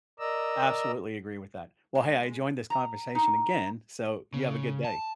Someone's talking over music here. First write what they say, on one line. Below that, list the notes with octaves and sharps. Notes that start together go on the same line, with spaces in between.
I absolutely agree with that. Well, hey, I enjoyed this conversation again, so, you have a good day.
A#4 D5 D#5 A#5 E6
G#3
A#5
D#4
C#3
A5